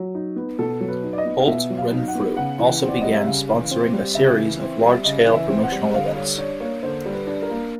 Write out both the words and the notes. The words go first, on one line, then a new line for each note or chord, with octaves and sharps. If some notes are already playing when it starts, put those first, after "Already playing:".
Holt Renfrew also began sponsoring a series of large scale promotional events.
Already playing: F#3
D#4
B3
B2 A4
F#3
B4
D#4
D5
D#5
B3
F5
B2 E5
F#3
F5
D#4
F#5
B3
C#3 F#5
E3
C4
D5
G3 D#5
E5
C#3 F5
E3
C4
G3
C#3 E5
E3
C4
G3
C#3 D#5
E3
E5
C4
F#5
G3
D3 F5
G3 C#5
D4 C#5
A#3 C#5
D3 C5
G3
B4
D4
A#4
A#3